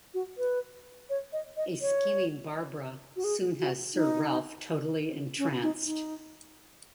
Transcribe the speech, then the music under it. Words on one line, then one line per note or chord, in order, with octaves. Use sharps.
A scheming Barbara soon has Sir Ralph totally entranced.
F#4
B4
C#5
D#5
D#5
C#5
F#4
G#4
F#4
D#4
C#4
D#4
D#4